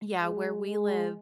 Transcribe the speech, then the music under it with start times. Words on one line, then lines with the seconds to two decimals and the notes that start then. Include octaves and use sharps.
Yeah, where we live,
0.19 G#3
0.66 G#3